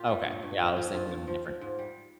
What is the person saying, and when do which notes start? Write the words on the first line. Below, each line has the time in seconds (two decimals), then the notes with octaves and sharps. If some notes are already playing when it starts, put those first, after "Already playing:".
Okay. Yeah, I was thinking of a different
Already playing: A#2 F4 G4
0.09 G3
0.26 G2
0.42 G2
0.59 F3
0.76 F3
0.82 D#4
0.93 G2 F4
1.11 G2
1.27 F3
1.44 F3
1.61 G#2
1.79 G3